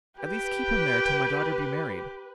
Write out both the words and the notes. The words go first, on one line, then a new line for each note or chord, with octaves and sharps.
"At least keep him there till my daughter be married."
G4 B4 G5